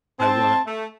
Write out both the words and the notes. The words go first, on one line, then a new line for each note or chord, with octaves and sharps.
I wanna"
C4 A5
A3